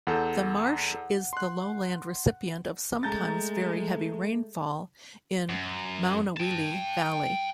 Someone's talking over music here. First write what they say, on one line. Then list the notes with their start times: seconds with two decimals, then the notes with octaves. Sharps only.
The marsh is the lowland recipient of sometimes very heavy rainfall in Maunawili Valley.
0.07 E2 A4 F#5 G6
1.33 C6 F#6
3.03 G#3 A3 A#5 G6 A6
5.49 F#2
6.37 G5 A5